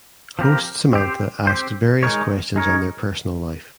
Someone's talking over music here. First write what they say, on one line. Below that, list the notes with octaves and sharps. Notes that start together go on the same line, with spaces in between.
Host Samantha asks various questions on their personal life.
F3 C4 G4 A#4
C4 G4 C5
C4 G4 C5
G#3 D#4 A#4 C#5
G#3 D#4 A#4 C#5